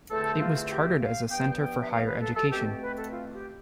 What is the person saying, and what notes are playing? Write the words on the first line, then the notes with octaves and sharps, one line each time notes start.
It was chartered as a center for higher education.
E2 D3 A3 C4 A4
F4
G4
F5
G2 F3 B3 G5
G5
E5
F5
B4
A4
A4
B2 A3 C4 G4
B4
A4
F4
G4